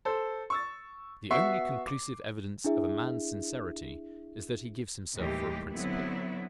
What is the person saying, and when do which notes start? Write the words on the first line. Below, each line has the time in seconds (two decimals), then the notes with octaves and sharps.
The only conclusive evidence of a man's sincerity is that he gives himself for a principle.
0.05 A4 C5
0.50 C#6 E6 A6
1.31 B3 F#4 E5 C#6 C7
1.87 D6
2.64 D4 E4 G#4 E5
5.15 D#2 A2 E3 G3 G#3 G4
5.70 D3 F#3 B3 C4 E4